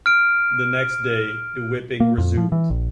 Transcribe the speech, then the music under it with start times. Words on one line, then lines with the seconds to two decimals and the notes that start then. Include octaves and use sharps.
The next day, the whipping resumed.
0.06 F6 D7
2.00 A#3
2.18 F2
2.37 F3
2.52 E3
2.70 A#1